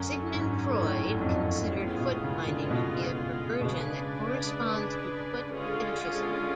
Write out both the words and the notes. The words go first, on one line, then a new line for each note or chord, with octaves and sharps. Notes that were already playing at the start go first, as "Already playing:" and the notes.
Sigmund Freud considered footbinding to be a "perversion that corresponds to foot fetishism".
Already playing: F#2 D3 F#3 C#4
G#2
A2
F2
F#2
A2 G#3 B3 F4 G#4
B2
C#3
D3
B2
B2
C#3 G#3 D4 G#4 B4 D5
D3 G#3 C#4 F4 G#4